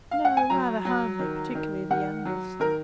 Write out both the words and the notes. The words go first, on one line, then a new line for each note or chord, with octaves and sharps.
'No, rather homely, particularly the youngest.'
F5
F#5
G#5
F#3 A#5
F#3
D#3
D#3
D#3 F#5
F#3
D#3 A#4